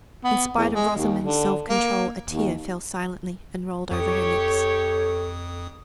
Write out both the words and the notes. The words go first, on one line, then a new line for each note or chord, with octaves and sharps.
In spite of Rosamond's self-control a tear fell silently and rolled over her lips.
B3
E2
G#3
D#2
D3
A#3
D#2
F2 G4 A4 C#5 D#6